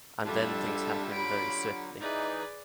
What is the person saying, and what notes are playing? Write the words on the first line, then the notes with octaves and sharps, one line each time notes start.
And then things happened very swiftly.
F2 D3 G3 D4 F4 G4 A4 E5
F#3 B5 D7
E3 D#4 G#4 B4 D5